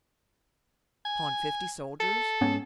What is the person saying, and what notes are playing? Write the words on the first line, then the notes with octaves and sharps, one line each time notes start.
"Upon fifty soldiers?"
G#5
A4
G#2 B3 C#4